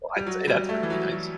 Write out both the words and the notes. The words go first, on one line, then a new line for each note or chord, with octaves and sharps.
Well, I'd say that's really nice.
G3
F#3
G3
A3
E3
F#3
F#3